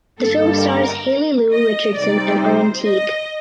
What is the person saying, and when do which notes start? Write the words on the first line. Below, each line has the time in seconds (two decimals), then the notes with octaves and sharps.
The film stars Haley Lu Richardson and Owen Teague.
0.19 G2 D3 G3 A#3 A4
0.62 A#4
1.51 D#5
1.95 C3 G3 C4 D#4 D5
2.39 C5
2.83 D#5